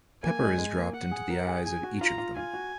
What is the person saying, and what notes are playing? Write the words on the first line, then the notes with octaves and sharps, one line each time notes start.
Pepper is dropped into the eyes of each of them.
A#3 G#5
G#3
G#3
A#3
F#5
G#4
A#4
G#4
G#4 G#5
F#4
F4 A#5
F4
F4 G#5
F#4